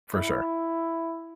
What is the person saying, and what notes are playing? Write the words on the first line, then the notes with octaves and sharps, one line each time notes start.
For sure.
E4